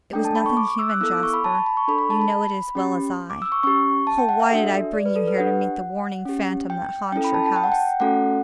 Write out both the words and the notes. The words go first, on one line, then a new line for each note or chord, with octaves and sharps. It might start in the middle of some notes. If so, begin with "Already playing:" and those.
"It was nothing human, Jasper; you know it as well as I. Oh, why did I bring you here to meet the warning phantom that haunts your house!"
A3 D4 A4 G5
A5
B5
C#6
D6
D6
E6
F#6
B3 E4 A4 E6
D6
C#6
B5
A5
A5
B5
C#6
D4 A4 B5
B5
A5
B5
C#4 G4
D6
E6
C#6
C#4 G4 C#6
A5
G5
F#5
E5
D4 F#4 A4 E5
D5
B4
A4
B4
D4 G4 F#5
C#4 G4
G5
C#4 E4 A4 G5
B5
A5
A5
G5
F#5
G5
A3 C#4 F#4 A4 F#5